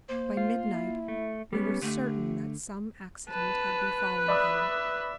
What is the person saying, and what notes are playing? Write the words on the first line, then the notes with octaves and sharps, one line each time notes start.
By midnight we were certain that some accident had befallen him.
A#3 C5
F4
E4
A3
G3 B3 C#4 G4
D3 A3
B4 A5
D5 E5 B5 D#6